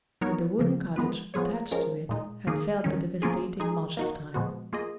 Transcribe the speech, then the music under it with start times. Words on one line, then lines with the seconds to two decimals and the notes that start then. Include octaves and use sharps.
But the wooden cottage attached to it had felt the devastating march of time.
0.21 F#3 B3 D#4 A#4 C#5
0.59 C#3 F3 A#3
0.96 F3 G#3 B3 F4 B4
1.34 F3 B3 F4 G#4 C#5
1.71 F3 G#3 C#4 F4 A#4
2.09 A#2 G#3 D#4
2.47 D#3 A#3 D#4 G#4
2.84 D#3 F#3 C#4
3.22 F3 A#3 C#4 F4 G#4
3.60 G#3 D#4 G#4
3.97 A#3 D#4 F#4
4.34 A#2 F3 G#3 B3 F#4
4.73 A#3 F4 G#4 D#5